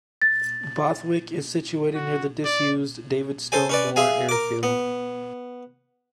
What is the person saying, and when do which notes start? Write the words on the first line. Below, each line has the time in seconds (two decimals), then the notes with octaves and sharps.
Bowithick is situated near the disused Davidstow Moor airfield.
0.22 A6
1.95 F#4
2.45 D5
3.52 A4 C5 G#5
3.69 C#4 B4 D5
3.96 G#4 E5 F5 G#5
4.29 A#4 D6
4.63 B3